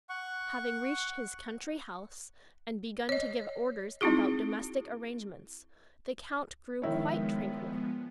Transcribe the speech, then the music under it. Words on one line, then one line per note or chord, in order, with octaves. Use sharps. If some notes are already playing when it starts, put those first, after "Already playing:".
Having reached his country house and begun to give orders about domestic arrangements, the count grew quite tranquil.
F#5 C#6
C#5 D#5
C4 D#4 E4 F#4 G#4
D#3 F3 G#3 B3 E4 C#5